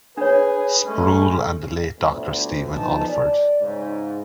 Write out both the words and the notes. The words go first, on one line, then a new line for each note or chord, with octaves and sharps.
Sproul and the late Doctor Stephen Olford.
D4 G#4 B4 C#5
G#3 A3 C#4
G1 D2
B1 F3 B3 D#4 G#5 A5
D5
G#2 C#3